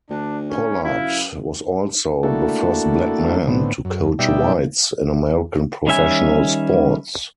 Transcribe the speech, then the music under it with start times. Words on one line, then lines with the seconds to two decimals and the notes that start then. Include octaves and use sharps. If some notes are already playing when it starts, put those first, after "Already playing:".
Pollard was also the first black man to coach whites in American professional sports.
0.10 D2 D4
0.50 C#4
0.84 F#2 E4 F5
2.23 A3 A#3 D4 E4 F#4 A4
3.48 A2 D3 B3 C4
3.85 F#2
4.19 B2 G3 D#4 D5 E5 G5
5.87 D#3 G3 C#4 E5 G#5